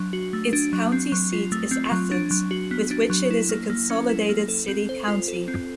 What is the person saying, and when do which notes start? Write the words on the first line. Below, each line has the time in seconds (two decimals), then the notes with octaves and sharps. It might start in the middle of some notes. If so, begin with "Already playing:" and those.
Its county seat is Athens, with which it is a consolidated city-county.
Already playing: F#3 D4
0.13 F#4
0.33 A3
0.53 D4
0.73 F#3
0.92 C4
1.12 F#3
1.33 F4
1.52 A3
1.71 C4
1.92 F#3
2.11 D4
2.31 F#3
2.51 F#4
2.71 B3
2.91 D4
3.10 F#3
3.31 E4
3.49 A#3
3.70 A#3
3.90 C#4
4.09 E4
4.29 A#3
4.48 A4
4.68 C4
4.89 C5
5.08 F4
5.28 A4
5.48 C4